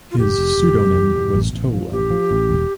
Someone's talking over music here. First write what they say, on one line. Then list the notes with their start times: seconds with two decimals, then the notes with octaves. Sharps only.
His pseudonym was "Tolo".
0.12 F4
0.18 F1 G4
0.38 F1
0.58 F1
0.76 B2
0.96 E2
1.15 B2
1.35 A1
1.54 A1
1.73 F3
1.92 A1 G4
2.11 F3
2.31 A1
2.50 E1